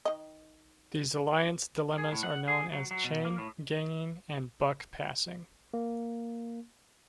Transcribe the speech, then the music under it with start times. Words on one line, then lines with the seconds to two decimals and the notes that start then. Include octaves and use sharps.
These alliance dilemmas are known as chain ganging and buck passing.
0.05 D#3 D#5
1.98 G#4
2.12 A2
2.23 F#5
2.48 G#4
2.73 F#3
2.91 F#3
3.04 B2
3.25 A#3
3.38 A2
5.74 A#3